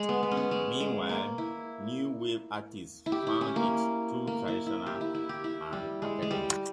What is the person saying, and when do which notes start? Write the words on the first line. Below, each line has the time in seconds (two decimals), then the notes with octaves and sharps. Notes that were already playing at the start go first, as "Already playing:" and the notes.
Meanwhile, "New Wave" artists found it too "traditional and academic".
Already playing: G#3
0.09 B3
0.23 B3
0.31 C#4
0.37 B3
0.51 G#3
0.80 G#3
1.09 A#3
1.38 E4
3.06 E4
3.12 G4
3.27 E4
3.41 C#4
3.56 A#3
4.27 A#3
4.48 E4
4.66 E4
4.86 G4
5.01 E4
5.15 E4
5.29 G4
5.44 E4
5.73 G3
6.02 G#3
6.22 G#3
6.31 G3